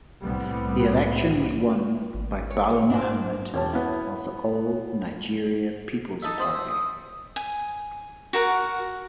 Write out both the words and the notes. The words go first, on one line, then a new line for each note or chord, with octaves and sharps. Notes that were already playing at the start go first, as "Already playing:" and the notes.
The election was won by Bala Mohammed of the All Nigeria Peoples Party.
C2 A2 G3 B3 C4
G#1
C#5
G#2 D4 F#4 C5
E1 C#4 A5
B3 E4
D#4 A4 E5
C5 E5 D#6
G#5
F#4 A#4 F#5